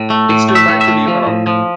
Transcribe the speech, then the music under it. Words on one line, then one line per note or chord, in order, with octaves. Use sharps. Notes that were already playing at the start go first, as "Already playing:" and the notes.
It's too bad to leave her out.
Already playing: A2
A3
A2
A3
E5
A2
E5
A3
F3
A2
F3